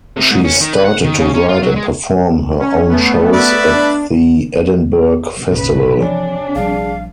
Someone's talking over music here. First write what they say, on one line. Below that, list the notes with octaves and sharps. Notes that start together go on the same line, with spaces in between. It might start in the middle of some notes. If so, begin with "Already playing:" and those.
She started to write and perform her own shows at the Edinburgh Festival.
C3
G#2
C#4
D#3
B4
F#5
D#3
C#3
C#4
F4
F#3
G#3
C#4
A3 B3
B4 D5 E5
D4
G#1 D2 A#2 C#3 B4
C3 E3 F3 D4 C#5 D5 G#5
A#1 F3 G3 G#4 D5 F5 A5